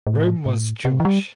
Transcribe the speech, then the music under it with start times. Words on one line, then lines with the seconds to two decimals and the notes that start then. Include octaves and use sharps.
Rome was Jewish.
0.07 A2
0.46 A2
0.85 C3
1.00 E3
1.05 G3